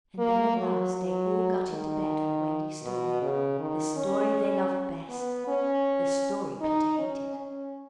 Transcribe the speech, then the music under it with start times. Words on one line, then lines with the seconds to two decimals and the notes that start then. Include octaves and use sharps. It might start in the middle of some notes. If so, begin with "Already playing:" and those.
And then at last they all got into bed for Wendy's story, the story they loved best, the story Peter hated.
0.18 A#3
0.57 F#3
0.95 F#3
1.70 D#3
2.83 B2
3.21 C#3
3.59 D#3
3.96 C#4
5.10 B3
5.48 C#4
6.61 D#4
6.98 C#4
7.36 C#4